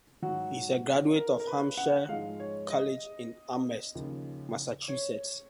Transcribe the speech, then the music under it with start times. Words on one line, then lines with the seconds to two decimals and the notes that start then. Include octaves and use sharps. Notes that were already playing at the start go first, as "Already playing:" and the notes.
He is a graduate of Hampshire College in Amherst, Massachusetts.
0.22 G#2 F#3 F#4
1.15 A#4
1.40 A#4
1.47 B4
1.77 F#5
2.09 G#2 F3 G#3 F5
2.40 C#5
2.70 D#5
3.95 D#2 C#3 F3
4.88 C#5